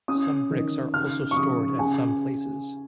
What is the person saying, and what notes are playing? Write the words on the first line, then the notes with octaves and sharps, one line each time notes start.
Some bricks are also stored at some places.
C#4 D#6
D#3
C#3 F6
C#6
C#3 D#6
C#3 G#5